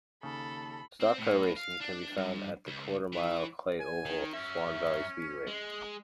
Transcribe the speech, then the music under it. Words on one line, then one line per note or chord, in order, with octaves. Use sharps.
Stock car racing can be found at the quarter-mile clay oval Swan Valley Speedway.
D#2 C#3 A4 B5
C4
A2
F5
D4
G2
C#2
E3
G#5
D#3
F#2 C#4 E5
G#3